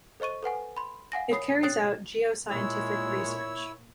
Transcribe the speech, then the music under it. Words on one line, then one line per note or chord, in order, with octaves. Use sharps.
It carries out geoscientific research.
A4 C5 D#5 C#6 D#7
A4 B4 F#5 G#5
B5 C6
F5 F#5 G#5 A#6
A#4 C#5 B5 D#6 C7
C#5 G5 D#6 F#6 A6 C7
A#2 G#3 E4 C#5 E6